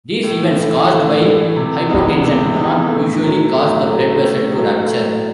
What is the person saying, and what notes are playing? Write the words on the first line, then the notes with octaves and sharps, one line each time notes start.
These events caused by hypotension do not usually cause the blood vessel to rupture.
A2
E3 A3
A2
E3 A3
C3
E3 G#3 B3 D#4
C3
E3 G#3 B3 D#4
A2
F#3 A3
A2
F#3 A3
A2
F#3 A3
A2